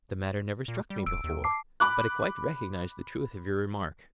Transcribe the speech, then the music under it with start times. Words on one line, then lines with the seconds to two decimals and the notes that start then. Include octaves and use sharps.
The matter never struck me before; but I quite recognise the truth of your remark.
0.68 A#2
0.90 G3
1.06 D1 E6 D7
1.24 D#2
1.44 A5 D6 C7
1.80 B5 D6 F#6